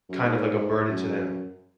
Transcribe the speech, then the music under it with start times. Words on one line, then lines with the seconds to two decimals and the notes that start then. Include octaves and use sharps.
kind of, like, a burden to them,
0.09 F#2
0.24 G#2
0.89 F#2